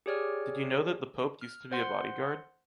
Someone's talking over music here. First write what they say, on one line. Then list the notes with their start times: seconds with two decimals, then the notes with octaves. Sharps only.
Did you know that the pope used to be a bodyguard?
0.06 G4 G#4 C#5 D5 F6
1.41 F6
1.72 C5 F#5 C6